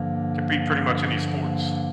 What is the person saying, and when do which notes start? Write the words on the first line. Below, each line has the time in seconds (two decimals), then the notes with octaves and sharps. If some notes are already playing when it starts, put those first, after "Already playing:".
Could be pretty much any sports.
Already playing: G2 D3 F3 A#3
1.42 A#3